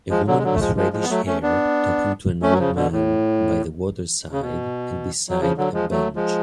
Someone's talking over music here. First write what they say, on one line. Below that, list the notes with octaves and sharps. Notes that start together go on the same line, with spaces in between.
A woman with reddish hair talking to an old man by the waterside and beside a bench.
F3 G#3
D3 F#3
G#3
D3 F#3
A3
F3 G#3
F3 G#3
F3 G#3
B3
F#3 A3
A3 C#4
B3 D4
A3 C#4
F#3
C#3 F3
B2 D3
A2
C#3
B2
F#3
C#3 F3
D3 F#3
F3 G#3
F#3 A3
F3 G#3